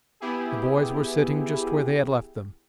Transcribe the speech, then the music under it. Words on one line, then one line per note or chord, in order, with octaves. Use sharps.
The boys were sitting just where they had left them.
B3 E4 G4 G#4